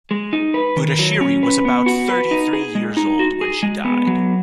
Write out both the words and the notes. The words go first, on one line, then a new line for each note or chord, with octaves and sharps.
Budashiri was about thirty-three years old when she died.
G#3
D#4
B4
D#3
F#3
C#4
B4
B3
F#4
B4
D#4
G#4
G#3
D#4
F#4
G#4
G#3
B3
F#3